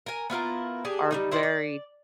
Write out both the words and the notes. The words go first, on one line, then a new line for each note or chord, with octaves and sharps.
are very,
A#4 G#5
B3 E4 F4 A#4
D4 G4 G#4
G3 A#3 D#4
E4 C5 D5
D5